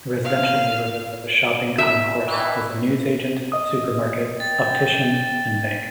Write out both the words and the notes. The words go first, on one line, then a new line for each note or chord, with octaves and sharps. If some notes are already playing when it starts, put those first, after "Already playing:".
The residential neighborhoods have a shopping concourse with a newsagent, supermarket, optician, and bank.
F5
E5
G2 D#3 E3
D#5 D#6
G5 A6